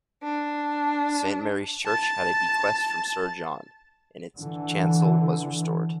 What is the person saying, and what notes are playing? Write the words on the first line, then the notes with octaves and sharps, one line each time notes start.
Saint Mary's Church had a bequest from Sir John, and its chancel was restored.
D4
A5 A6
D3 E3